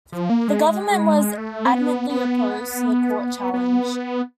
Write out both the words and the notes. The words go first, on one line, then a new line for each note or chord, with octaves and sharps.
The Government was adamantly opposed to the court challenge.
F3
A#3
G#3
A3
G#3
A3
C4
B3
B3
B3